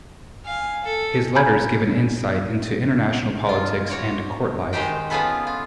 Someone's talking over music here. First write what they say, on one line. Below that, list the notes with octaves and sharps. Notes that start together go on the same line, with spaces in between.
His letters give an insight into international politics and court life.
F5 G#5
A4
G#5 A#5 B5 G6 G#6
B2 F4
F#4 C#5 D5
D#3 G#3 D#4 G4 C5 G5
B3 C#4 F4 G#4 A4 B4
F4